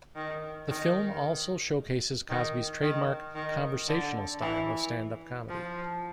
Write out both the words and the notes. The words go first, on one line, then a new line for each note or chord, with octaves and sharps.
The film also showcases Cosby's trademark conversational style of stand-up comedy.
D#3
D#3
D#3
D#3
D#3
D3
E3
F3